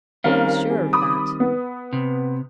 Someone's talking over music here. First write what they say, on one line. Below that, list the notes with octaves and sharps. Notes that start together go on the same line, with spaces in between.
He was sure of that.
D#3 G3 C4 C#4 A#4 F5
G#4
B5 D6 D#6
B3
C3